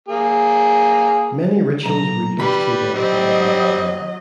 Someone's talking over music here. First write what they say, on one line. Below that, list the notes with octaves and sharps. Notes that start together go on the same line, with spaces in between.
Many rituals were used to identify a vampire.
A#3 G#4
B1 A#5
D#3 G3 B4 B5
F#3 G3 C4 D#5